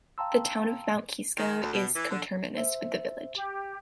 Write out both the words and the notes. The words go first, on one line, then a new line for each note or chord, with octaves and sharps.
The town of Mount Kisco is coterminous with the village.
F5 G5 A5 A#5 C6 E6
D#3
D2
B2
E3
D3
C5 E5
G4